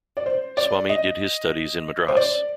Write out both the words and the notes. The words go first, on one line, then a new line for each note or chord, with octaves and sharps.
Swamy did his studies in Madras.
D5
C5
D5
D#5
C5
D5